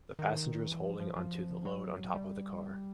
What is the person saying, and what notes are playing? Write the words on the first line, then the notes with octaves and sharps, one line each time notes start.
The passenger is holding onto the load on top of the car.
D#3
E3
F3
F3
F3
F#3
G3